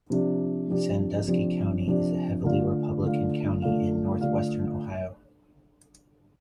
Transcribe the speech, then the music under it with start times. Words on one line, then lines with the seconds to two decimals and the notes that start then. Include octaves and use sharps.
Sandusky County is a heavily Republican County in Northwestern Ohio.
0.10 C3 F3 D4 G4 D5
0.68 C3 F3 D4 G4 D5
1.27 C3 F3 D4 G4 D5
1.87 C3 F3 D4 G4 D5
2.45 D3 A3 F4 D5 F5
3.03 D3 A3 F4 D5 F5
3.62 D3 A3 F4 D5 F5
4.21 D3 A3 F4 D5 F5